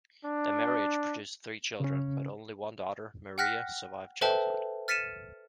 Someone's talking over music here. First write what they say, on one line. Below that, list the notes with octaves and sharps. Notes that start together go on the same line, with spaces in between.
Their marriage produced three children, but only one daughter, Maria, survived childhood.
D4
C#3 C#4
F#5 G5 F6 F#6 A#6 B6
A4 B4 C5 E5 G5 A5
F6 A6 B6 C#7 D#7 E7